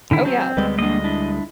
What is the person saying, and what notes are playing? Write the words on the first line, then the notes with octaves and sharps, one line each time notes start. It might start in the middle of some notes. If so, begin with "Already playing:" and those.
Oh, yeah,
D3 D#3 E4
F#3 C4 C5
D2 G3 G#3 B4 D#5
A#3 D4 D#5
D4 E4